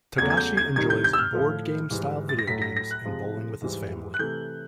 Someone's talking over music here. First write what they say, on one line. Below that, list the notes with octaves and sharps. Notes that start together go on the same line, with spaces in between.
Togashi enjoys board-game-style video games and bowling with his family.
E2 C#3 F#3 A3 G#6
G#6
G6
G#6
C3 D#3 G3 G#6
G6
G6
E6
F6
A2 F3 A3
G#2 E3 G3
A6
A#6
A2 F#3 A3 B6
A#6
A#6
F#6
C3 F3 G#3
G#2 E3 G3
F#6
C3 E3 A3 G6